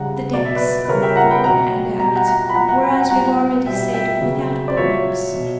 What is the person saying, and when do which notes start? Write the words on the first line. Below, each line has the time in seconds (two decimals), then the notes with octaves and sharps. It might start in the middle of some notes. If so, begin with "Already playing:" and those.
The decks, fore and aft, were, as we have already said, without bulwarks.
Already playing: C#3 G3 F#5 A#5
0.33 B2 F#3 D5
0.45 E5
0.56 B4 D5
0.85 B4
0.88 C#3 G3 A#4 C#5
1.02 E5 G5
1.16 F#5 A#5
1.31 G5 B5
1.44 B2 F#3 F#5 A#5
2.00 B2 G3 A#5
2.07 G5
2.16 F#5 A#5
2.27 F#5 A#5
2.49 B5
2.55 A#2 F#3 F#5 A#5
2.69 F#5 A#5
2.83 G5 B5
2.96 F#5 A#5
3.10 A#2 G3 F#5 A#5
3.65 B2 G3 E5 G5
3.93 E5 G5
4.21 C#3 F#3
4.68 D5
4.77 A#2 F#3 C#5 E5
5.32 B2 F#3